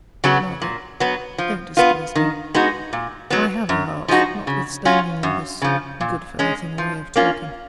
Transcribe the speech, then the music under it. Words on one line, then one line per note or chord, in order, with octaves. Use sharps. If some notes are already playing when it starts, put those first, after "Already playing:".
'Margaret, don't despise me; I have a heart, notwithstanding all this good-for-nothing way of talking.
C#3 F#3 B3 F#4
A#2
F#3 B3
F3
B3 F4
D#3
G#3 B3 D#4 F#4
A#2
F#3 B3
F#2
F3 G#3 D#4 F#4
C#3
F#3 C#4 F4
F#2
C#3 F3
A#2
G#3 C#4
F3
A#3 C#4 F4